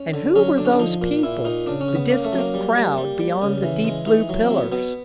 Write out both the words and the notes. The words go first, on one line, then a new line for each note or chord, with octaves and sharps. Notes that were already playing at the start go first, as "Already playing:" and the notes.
And who were those people, the distant crowd beyond the deep blue pillars?
Already playing: C#4
D3
F#3 C#4
D3 D4
C#4
D4
F3 D#4
A#2
A#2 E4
A#2 D#4
C#3 D4
C#4
C#3
B3
C#3 A#3
A3
F#3
A#3
G3
G3
G3
G3
C#3
E3
G#3
E3 D#4
F#3
C4
F#3
B3
B2 B3